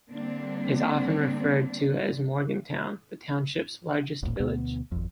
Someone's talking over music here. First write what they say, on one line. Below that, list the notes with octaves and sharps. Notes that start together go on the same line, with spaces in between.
It is often referred to as Morgantown, the township's largest village.
D3 G3 A#3 C4 D4
D#1 A1 A#2
D2 B2 B3
G#1 F2